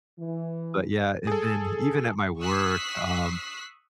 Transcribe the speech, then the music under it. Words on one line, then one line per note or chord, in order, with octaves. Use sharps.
but yeah, and then even at my work, um,
E3
G#4 A4
C#6 D#6 E6 F#6 B6 C7